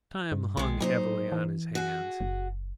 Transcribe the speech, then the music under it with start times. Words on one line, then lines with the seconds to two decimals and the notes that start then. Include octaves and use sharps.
Time hung heavily on his hands.
0.32 G2
0.57 B1 D#3 G#3
0.80 A#2 F#3 D#4 C5
1.32 E3
1.75 F#4 G#4
2.20 F#1